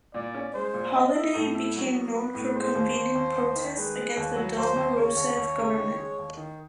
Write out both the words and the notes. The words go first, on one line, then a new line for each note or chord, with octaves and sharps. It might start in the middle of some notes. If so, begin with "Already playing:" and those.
Holiday became known for convening protests against the Dilma Rousseff government.
A#2 D5
C#4
G#3 C5
A#2
B3 D#5
E4
A2 A4
E4
F#3
B3
B3 B4
A2
G#3 C5
D#2
D#2
D#2
D#2
D#3
G#3 B4
G#3
D#2
F#3
D#2 C5
D#2
C#3 C#5
D#2
D#2
C#3
D#3
G#3
D#2
D#3